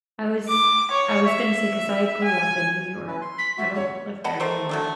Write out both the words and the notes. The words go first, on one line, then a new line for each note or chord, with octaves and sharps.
I was I was gonna say 'cause I grew up in New York. I don't live there anymore,
D6
C#5
E5
G#5
C#4 E4 B4
C6
B6
F#4 E5
C#5
D#5 F#5 A5 B5
A3 G4 A#4 C5
F#3 A3 D4